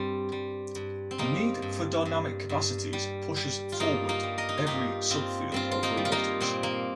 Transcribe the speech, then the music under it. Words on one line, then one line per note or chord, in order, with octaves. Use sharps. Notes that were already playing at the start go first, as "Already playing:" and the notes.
The need for dynamic capacities pushes forward every sub-field of robotics.
Already playing: G2 G3 C4
G3
G2
C4
G3 A#3 D#4
G2
G2
G2
G3
G3
F4
G2 A#3 D#4
A#3 D#4
G3
A#4 D#5
D#4
F4
G2 D#4 G4
G2 C4 F4
G2 C4 F4
F4
A#3 D#4
G3
F4
A#3 D#4
A#2 C4
A#3